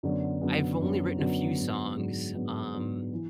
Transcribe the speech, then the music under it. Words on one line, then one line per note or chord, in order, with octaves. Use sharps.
I've only written a few songs. Um,
F#2 D3 F#3 B3 D4
F#2 D3 F#3 B3 D4
F#2 D3 F#3 B3 D4
F#2 D3 F#3 B3 D4
G#2 F#3 B3 D4
G#2 F#3 B3 D4
G#2 F#3 B3 D4
G#2 F#3 B3 D4
E3